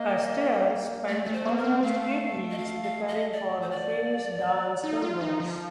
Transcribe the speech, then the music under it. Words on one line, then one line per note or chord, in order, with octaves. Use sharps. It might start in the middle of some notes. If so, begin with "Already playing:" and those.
Astaire spent almost eight weeks preparing for the film's dance numbers.
Already playing: A#3 D#5
A3 D5
A3 D5
C5
A#3
A#4
C4
A3 F5
D#5
F5
F5
D#5
D5
C5
D5
D#4
F4
D#4
F3